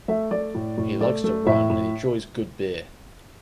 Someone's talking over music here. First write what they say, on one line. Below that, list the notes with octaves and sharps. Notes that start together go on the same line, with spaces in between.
He likes to run and enjoys good beer.
A3 E5
A3 D5
A2
A2
A3 D5
A3
A2 E5
A2